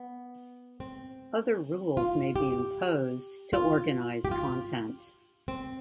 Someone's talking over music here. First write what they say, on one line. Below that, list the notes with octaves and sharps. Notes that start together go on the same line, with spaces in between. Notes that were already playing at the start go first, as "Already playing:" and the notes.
Other rules may be imposed to organize content.
Already playing: B3
C4
F4
G4
F4
G4
F4
C4